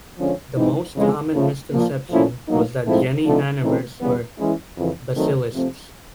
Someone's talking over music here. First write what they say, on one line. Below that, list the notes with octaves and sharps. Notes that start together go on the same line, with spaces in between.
The most common misconception was that Jenny Hanivers were Basilisks.
D3 F3 G#3 C#4
G#2 E3 G#3 C4 D#4
F2 C#3 E3 G#3
C#3 F3 A3
A#2 F3 A#3
A#2 F3 A3 C#4 E4
A2 F#3 A#3 D#4
G#2 F3 A3 C4 E4
D3 F3 A3 C4 D#4
C#3 E3 A3 C4 D#4
E2 C#3 E3 G3 B3
E3 G#3 C#4 E4
F2 C#3 E3
D#3 F#3 A3 C4
C3 F3 A3 C4